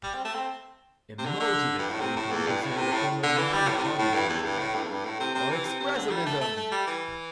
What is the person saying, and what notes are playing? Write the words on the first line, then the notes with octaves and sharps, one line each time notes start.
Emotivism can be considered a form of non-cognitivism or expressivism.
G3
C4
A3
C4
C3
D3
D3
G2
A2
C3
A2
E2
G2
A2
C3
A2
D3
E3
G3
A2
C3
A2
A2
G2
E2
G2
A2
G2
E2
G2
A2
C3
C3
E3
C3
C3
D3
G3
A3
A3
A3
G3
E3